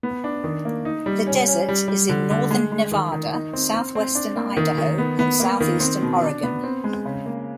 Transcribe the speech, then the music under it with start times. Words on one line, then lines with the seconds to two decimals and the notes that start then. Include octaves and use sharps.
The desert is in northern Nevada, southwestern Idaho and southeastern Oregon.
0.03 B3
0.24 D4
0.44 D#3
0.65 A#3
0.85 D#4
1.06 G3
1.27 C#4
1.48 C#4
1.68 G3
1.88 G3
2.09 D3
2.30 D3
2.51 G#3
2.72 G#3
2.92 D#3
3.12 D#3
3.33 D#4
3.53 C4
3.74 C4
3.95 C4
4.15 D4
4.36 A#3
4.57 D#3
4.78 D#3
4.98 B3
5.19 B3
5.40 A#3
5.60 D#3
5.80 C4
6.02 B2
6.22 D4
6.43 B3
6.64 C4
6.84 G#3
7.05 C#3
7.26 A#3